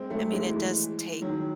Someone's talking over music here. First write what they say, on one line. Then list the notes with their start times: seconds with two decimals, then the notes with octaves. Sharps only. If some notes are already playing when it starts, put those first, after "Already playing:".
I mean, it does take
Already playing: G#3 C4
0.10 F#3 A3
0.33 E3 G#3
1.22 D#3 F#3